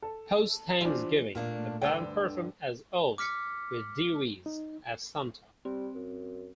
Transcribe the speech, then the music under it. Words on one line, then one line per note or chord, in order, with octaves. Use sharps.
Post-Thanksgiving, the band performed as elves with Dewees as Santa.
A4
E3 F3 G3 D4 F4 C5
A#2 A3 A#3 D4
D2 G2 D3 G5 E6
D6 F6 B6 C#7
D#4
G3 C4
F#2